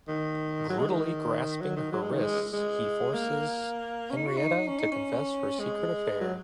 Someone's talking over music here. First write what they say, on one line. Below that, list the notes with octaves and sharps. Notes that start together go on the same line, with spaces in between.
Brutally grasping her wrists, he forces Henrietta to confess her secret affair.
D#3
F#3
G#3
D#3
F#3
D#3
F#3
G#3
D#3
G#3
G#3
A#3
C#4
D#4
F#4
D#4
C#4
D#4
C#4
G#3
F#3